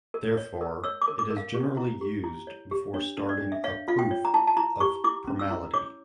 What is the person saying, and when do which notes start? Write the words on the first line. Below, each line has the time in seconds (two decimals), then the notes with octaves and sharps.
Therefore, it is generally used before starting a proof of primality.
0.14 A#4
0.37 C#5
0.61 A#4
0.84 C#5 E6
1.01 D6
1.08 A#4
1.19 D6
1.30 A#4
1.37 F5
1.54 G4
1.77 E4
2.01 G4
2.24 E4
2.47 C#5
2.71 G4
2.94 D4 C#5
3.17 D4
3.29 D5
3.41 D4
3.52 E5
3.64 C#5 F5
3.88 F4 F5
3.99 G5
4.11 C#5
4.25 A#5
4.34 E4 A5
4.47 A5
4.57 E4 A#5
4.80 G4 C#6
5.04 E4 D6
5.27 C#4
5.39 E6
5.51 E4
5.74 C#5 D6